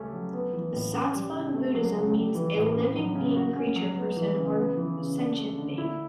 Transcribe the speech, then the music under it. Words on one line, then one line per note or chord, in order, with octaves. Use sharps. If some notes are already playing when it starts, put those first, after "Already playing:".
The Sattva in Buddhism means "a living being, creature, person or sentient being".
Already playing: C#3 G3 A3 C#4
F#3
B3
E3
A2
C#4
G3
C#3
A3
F#3
C#3
G3
E3
A2
C#4
F#3
C#3
F#4
C#4
F#3
B3
E3
C#3
B3
E3
C#3
D4
A3
D3
E4